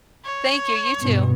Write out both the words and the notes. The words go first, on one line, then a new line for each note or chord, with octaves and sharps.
Thank you, you too.
C#5
G2 B2